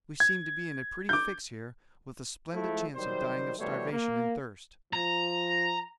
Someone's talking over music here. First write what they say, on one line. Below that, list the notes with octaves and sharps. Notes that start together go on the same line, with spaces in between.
"We seem to be in a pretty fix here with a splendid chance of dying of starvation and thirst."
G#6
D6 G6
F3 G#3 A3 E4
D#3 F#3 G3 C5
B2 E3 G3 A3 C5 C#5
A#3
F3 A#5